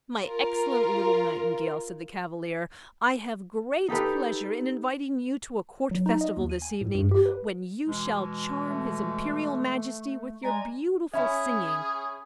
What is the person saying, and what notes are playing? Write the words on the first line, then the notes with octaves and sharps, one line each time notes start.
"My excellent little Nightingale," said the Cavalier, "I have great pleasure in inviting you to a court festival this evening, when you shall charm his Imperial Majesty with your beautiful singing."
F4 A#4
D#4 G4 A4 B4
F#3
D#4
D#5
D#2
D#7
G#5
A2
G2
G4
B4
B2 E3 G#3
A3
G#3 D5 G#5 A#5
C#4 G#4 E5 G#5 B5 G#6